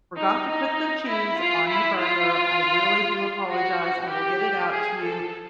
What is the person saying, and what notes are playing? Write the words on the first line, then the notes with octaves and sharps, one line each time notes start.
forgot to put the cheese on your burger, I really do apologize, I will get it out to you,
D#4
D#4
E4
F4
E4
F4
F#4
G4
G#4
A4